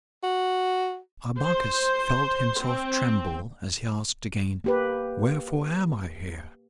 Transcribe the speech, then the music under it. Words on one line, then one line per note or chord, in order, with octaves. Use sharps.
Arbaces felt himself tremble as he asked again, 'Wherefore am I here?'
F#4
C5
C4
A#3 G4 B4